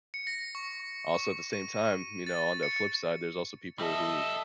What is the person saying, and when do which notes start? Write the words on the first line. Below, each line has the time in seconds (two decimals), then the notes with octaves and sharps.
also, at the same time, you know, on the flip side, there's also people who
0.14 C#7
0.27 A#6
0.55 C#6
1.15 C#6
1.53 D#7
2.26 A6
2.63 C#7
3.79 G3 A4 D#5 E5